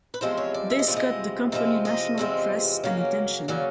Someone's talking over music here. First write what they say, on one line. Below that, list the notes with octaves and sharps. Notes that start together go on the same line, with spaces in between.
This got the company national press and attention.
B4
E2 C3 F3 G#3 C4 C5
C#5
D5
E5
D#5
E2 C3 F3 G#3 C4 D5
D#5
E2 C3 F3 G#3 C4
D#5
E2 C3 F3 G#3 C4
C#3 F#3 A#3 C#4
C#3 F#3 A#3 C#4 D5